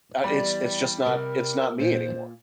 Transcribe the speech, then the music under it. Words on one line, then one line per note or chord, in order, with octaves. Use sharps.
"Uh, it's it's just not it's not me anymore."
E2 G3 D5
C3 A#4
A#2 C5